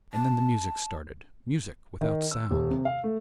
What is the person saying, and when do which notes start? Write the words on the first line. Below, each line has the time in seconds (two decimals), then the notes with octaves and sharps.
And then the music started--music without sound!
0.13 A5
2.01 D#3
2.31 E6
2.51 D#1
2.70 C3
2.85 F5
3.04 A3